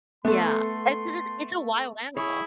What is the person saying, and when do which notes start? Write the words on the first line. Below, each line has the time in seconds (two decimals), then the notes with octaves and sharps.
Yeah. Eh, because it it's a wild animal.
0.25 A3 B3 A4 C6
2.17 E4 G#4 C#5